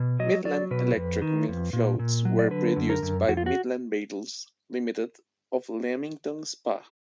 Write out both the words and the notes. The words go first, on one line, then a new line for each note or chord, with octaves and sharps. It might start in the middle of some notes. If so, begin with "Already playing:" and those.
Midland Electric milk floats were produced by Midland Vehicles Limited of Leamington Spa.
Already playing: B2
F#3 D#5
F#3 D5
B2 B4
F2
D#3
F2
A#2
A#2
F#3
D5
D3 B4
F#2
A#4
F#2
F2 F#4
F4
F#4